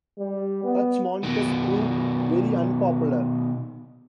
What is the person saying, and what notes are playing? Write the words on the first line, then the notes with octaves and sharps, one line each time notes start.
Such monitors proved very unpopular.
G3
B3
B2 D#3